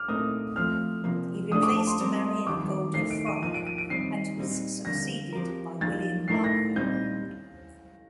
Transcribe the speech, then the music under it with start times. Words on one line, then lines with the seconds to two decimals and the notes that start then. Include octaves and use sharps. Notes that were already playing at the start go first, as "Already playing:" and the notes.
He replaced Marion Golda Fry and was succeeded by William Barker.
Already playing: D6 F6
0.08 A#2 A3 C4 D#4 A#4 D#6
0.56 F3 A3 C4 F6
1.04 C3 F3 A#3
1.51 F3 A3 D4 A4 D#6
1.63 D6
1.76 A5
1.87 C6
2.00 G3 C4 G4 A#4
2.47 F2 D#3 G3 D6
2.94 D#3 A3 D#4 C7
3.10 D7
3.26 D#7
3.42 F3 A#3 D#4 D#7
3.54 D7
3.67 D#7
3.78 D7
3.90 D#3 G3 C4 D#4 C7
4.37 A#2 G3 C4 D#4
4.85 F2 D3 G3 A#3 A#6
5.33 F3 C4 G4 A#4
5.81 F3 A#3 D#4 A6
6.28 A2 A3 D#4 A#4 C7
6.44 A#6
6.76 A#2 G3 C4 D#4 G6